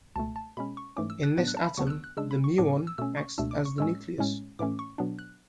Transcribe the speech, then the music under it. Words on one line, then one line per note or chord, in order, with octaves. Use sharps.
In this atom, the muon acts as the nucleus.
C#2 B2 A3 A5
A5
B2 G#3 C#4 B5
C#6
G#2 E3 A3 C#4 D6
E6
F#6
A2 F#3 B3 D4 F#6
F#6
A5
B5
D2 C#3 F#3 B3 D4 C#6
F#6
E6
F#6
C#3 G#3 D4 E6
B5
C#6
A2 F#3 B3 D4 D6
E6
B2 A3 C#4 E6
C#6
C#2 B2 A3 D4 E6
D6
C#6
A2 G#3 C#4 E6
A2 G#3 C#4
A2 E3 A3 C#4 D6
C#6
B2 F#3 B3 D4
F#6